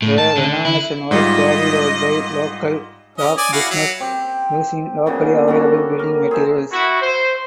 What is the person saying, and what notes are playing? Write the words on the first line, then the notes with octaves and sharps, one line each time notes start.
The renovation was carried out by local craft businesses using locally available building materials.
A2
A5
D3
E4
G#2 G3 F4 D#5
C#4 D#5
D5 G#5
E4 F#4 F5
F#3
C4 G4
A#2 C#3 F#3 B3
G3 A#3 F#4 A4
A#4
G#4 C5 E5 A5
E4 F#4
C5